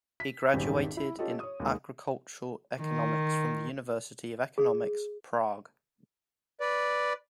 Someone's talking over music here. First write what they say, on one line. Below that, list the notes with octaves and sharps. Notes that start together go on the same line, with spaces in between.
He graduated in agricultural economics from the University of Economics, Prague.
B6
D#1 G#1 E2 D#3 G3 C5
E4
C#4 F4 G4 A4 D#5
C#5 D#6
D#2 G#3
D#3
G#4
B4 D5